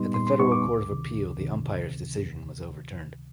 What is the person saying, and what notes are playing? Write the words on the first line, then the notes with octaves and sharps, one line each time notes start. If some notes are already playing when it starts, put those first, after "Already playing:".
At the Federal Court of Appeal the Umpire's decision was overturned.
Already playing: A#2 G3 B3 D#4 C6
A#2 C6
C6
G3 B3 D#4 C#6
D6
C#2
C3 D#3
C#2
C3 D#3